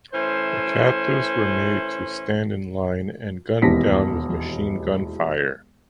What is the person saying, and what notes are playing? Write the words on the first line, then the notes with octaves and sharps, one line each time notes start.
The captives were made to stand in line and gunned down with machine gunfire.
E3 A3 C#4 C5
E1 D#2 E3 A5 A#6 B6